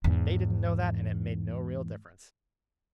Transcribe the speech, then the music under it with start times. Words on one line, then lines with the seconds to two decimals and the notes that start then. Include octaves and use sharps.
But they didn't know that, and it made no real difference.
0.04 E2 G#2